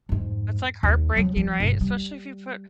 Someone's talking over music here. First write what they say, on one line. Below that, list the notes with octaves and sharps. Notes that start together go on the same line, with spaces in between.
It's like heartbreaking, right? Especially if you put
F2 G#2
D#2
F3 F#3
F3 A#3
G1 B2
G3